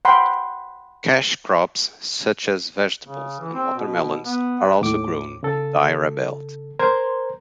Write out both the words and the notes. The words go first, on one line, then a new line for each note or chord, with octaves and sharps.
Cash crops such as vegetables and watermelons are also grown in Diara belt.
F#5 G5 B5 C6
C#3
E3
C4
B2
B3
B4
D#2 A2 D6
C#3 A4
A#4 C5 A#5 C6 G#6